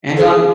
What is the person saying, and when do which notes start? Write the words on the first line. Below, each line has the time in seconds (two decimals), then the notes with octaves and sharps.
and, um,
0.17 A4
0.21 G#4